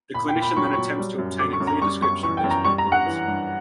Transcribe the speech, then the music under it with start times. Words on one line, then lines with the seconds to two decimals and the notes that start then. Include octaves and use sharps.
The clinician then attempts to obtain a clear description of these problems.
0.14 A#2 B5
0.29 G5
0.35 A#2
0.42 B5
0.56 F#3 C#6
0.64 B5
0.73 F#3 C#6
0.98 G3
1.18 F#2
1.39 D3 D6
1.53 C#6
1.60 F#2
1.67 A#5
1.81 G3 C#6
2.02 F#2 C#6
2.23 E3 C#6
2.37 G5
2.44 F#2
2.50 A#5
2.65 G3 C#6
2.78 A#5
2.86 G2
2.92 F#5
3.06 E3
3.27 G2